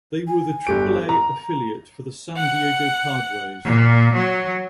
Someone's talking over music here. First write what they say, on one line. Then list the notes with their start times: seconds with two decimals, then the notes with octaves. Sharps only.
They were the Triple-A affiliate for the San Diego Padres.
0.27 G#5
0.67 G1 G4 D7
1.09 A#5
2.36 F#5
3.65 A#2
4.14 F#3